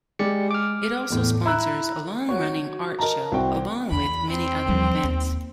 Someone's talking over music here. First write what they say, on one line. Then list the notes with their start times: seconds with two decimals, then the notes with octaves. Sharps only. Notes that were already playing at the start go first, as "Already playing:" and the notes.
It also sponsors a long-running art show along with many other events.
0.19 G#3 G4 D5 C#7
0.51 D6 F6
1.10 E2 A2
1.46 E4 A#5 E6 F#6
2.29 F#4 C#5
2.99 A#4 D#5 A5 A#5
3.32 C2 C4 F#4 G5
3.91 E2 B5
4.30 C4
4.69 D#2 E3 F3 G3
5.04 D#2 A#3